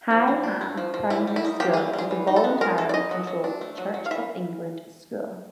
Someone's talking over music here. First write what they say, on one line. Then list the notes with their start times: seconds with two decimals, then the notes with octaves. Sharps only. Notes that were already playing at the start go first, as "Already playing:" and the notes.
High Ham Primary School is a voluntarily controlled Church of England school.
0.11 F3
0.27 F3
0.43 D4
0.61 A3
0.77 F3
0.94 F3
1.10 G3 E4
1.27 G3
1.36 E4
1.45 D#4
1.60 A#3 G4
1.73 G#4
1.77 G3
1.93 G3
1.99 G#4
2.11 E3
2.27 D#4
2.36 A4
2.44 B3
2.61 G#3 A#4
2.78 E3 A4
2.89 D5
2.94 D#4 D#5
3.11 F#3
3.27 F#3
3.44 D4
3.61 A3
3.78 F#3
3.94 F#3
4.06 F5
4.11 E3 E5